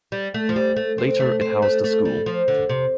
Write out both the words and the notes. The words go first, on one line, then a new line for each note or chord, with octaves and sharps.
Later it housed a school.
G3
A3
F3
G3
A3
C4
A3
C4
A3
A3
G3
F3
D3
C3